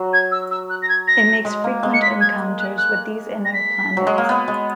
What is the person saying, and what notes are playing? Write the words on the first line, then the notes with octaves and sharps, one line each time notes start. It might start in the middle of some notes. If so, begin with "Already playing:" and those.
It makes frequent encounters with these inner planets.
Already playing: F#3 F#4
G#6
E6
E6
F#6
A#6
G#6
A#6
G#3
A#3
G#3
C#7
B6
G#6
F#6
F#6
A#6
B6
F#3
G#3
A#3
B3
G#3